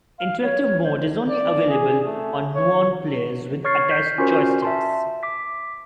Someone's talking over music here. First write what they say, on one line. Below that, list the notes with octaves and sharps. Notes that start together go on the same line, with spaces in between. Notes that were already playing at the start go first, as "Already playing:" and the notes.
Interactive mode is only available on Nuon players with attached joysticks.
F5
C#5
C5
D5
G#4
A3
C#5
C#5 C#6 F6 A6 C7
G6 B6 C7
C#4 F4 F#4 A#4 C5
E5 A5 C6
D6 B6